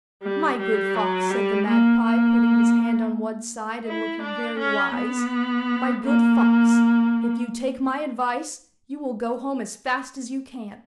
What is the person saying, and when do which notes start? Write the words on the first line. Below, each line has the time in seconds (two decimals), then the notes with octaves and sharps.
'My good fox,' said the magpie putting his head on one side and looking very wise--'my good fox, if you take my advice, you will go home as fast as you can.
0.23 G3
0.59 G3
0.95 F#3
1.31 G3
1.67 A#3
2.03 A#3
3.86 E4
4.22 D4
4.59 C#4
4.95 B3
6.04 A#3